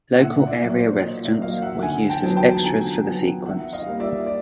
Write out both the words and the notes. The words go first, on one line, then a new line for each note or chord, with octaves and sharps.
Local area residents were used as extras for the sequence.
A#2 E5 F#5
D5 E5
F#3 A#3
C5 D5
A#2 C#5 D#5
D5 E5
F#3 A#3 D#5 F5
E5 F#5
D3 F#5 G#5
G5 A5
F#3 B3
G5 A5
D3 G#5 A#5
F#3 B3 F#5 G#5
D#3 E5 F#5
D#5 F5
G3 A#3
D5 E5
D5